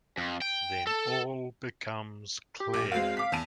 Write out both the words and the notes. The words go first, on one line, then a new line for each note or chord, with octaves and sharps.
Then all becomes clear.
F2
G5
A4
G4
A#1
G#3 C4 F#4 F5
D6 B6
E2 A5 D#7